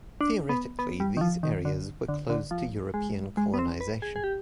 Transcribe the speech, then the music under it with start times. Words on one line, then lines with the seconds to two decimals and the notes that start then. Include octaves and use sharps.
Theoretically, these areas were closed to European colonization.
0.21 D4
0.49 B3
0.79 B3
1.00 G3
1.17 D#3
1.21 F3
1.43 D#3
1.65 D3
2.09 D3
2.30 D3
2.51 F3
2.94 G#3
3.37 G#3
3.54 B3
3.59 C4
3.81 B4
4.02 G#4
4.16 G#4
4.24 G4